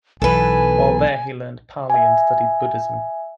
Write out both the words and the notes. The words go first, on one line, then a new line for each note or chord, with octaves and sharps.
While there, he learned Pali and studied Buddhism.
B1 E3 A4 B4 G#5
E5 G#5